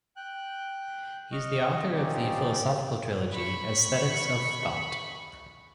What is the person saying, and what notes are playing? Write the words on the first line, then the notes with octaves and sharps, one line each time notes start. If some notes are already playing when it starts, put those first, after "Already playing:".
He is the author of the philosophical trilogy "Aesthetics of Thought".
G5 F#6
D#5 C#6 F6
C4 C#4 D#4 F4 G4 D5
B5 C#6